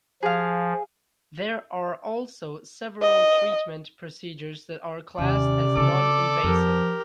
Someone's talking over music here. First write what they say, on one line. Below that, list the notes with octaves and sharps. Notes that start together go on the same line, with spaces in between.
There are also several treatment procedures that are classed as non-invasive.
F3 G#4 F5
D#5
D#2 C3 C#4 D5
C#3 C4 A4 D6
F2 F3 G4 A#4